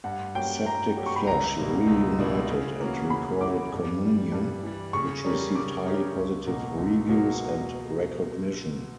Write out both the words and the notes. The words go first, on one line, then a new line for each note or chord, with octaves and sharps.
Septic Flesh reunited and recorded Communion, which received highly positive reviews and recognition.
G2 F#5
F#3 A#3 C#4 G4 G5
G2 A#5
F#3 A#3 C#4 G4
C#6
B5
C#2 A#5
B2 G3 A#3 E4
C#2
B2 G3 A#3 E4
C#3
E3 A#3 C#4 F#4
C#3 B5
E3 A#3 C#4 F#4 D6
G2
E3 G3
G2
E3 G3
C#3 C#6
G3 C#4 G4 A#4
C#3 D6
G3 C#4 G4 A#4
C#2
B2 F#3 A#3
C#2
B2 F#3 A#3